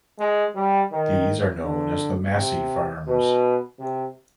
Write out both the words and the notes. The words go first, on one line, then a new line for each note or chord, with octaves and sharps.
These are known as the Massey Farms.
G#3
G3
D#3
D3
C3
B2
C3